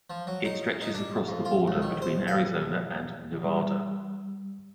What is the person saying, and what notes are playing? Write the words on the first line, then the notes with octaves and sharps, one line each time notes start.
It stretches across the border between Arizona and Nevada.
F3
F#3
D#4
D#4
D4
F2
F4
C#2
D#3
C5
F5
G3